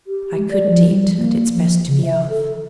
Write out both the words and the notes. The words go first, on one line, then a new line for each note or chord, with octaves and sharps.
I couldn't eat, and it's best to be off.
G4
G#3
D5
F3
G3
A#3
F3
C#3
E5
A4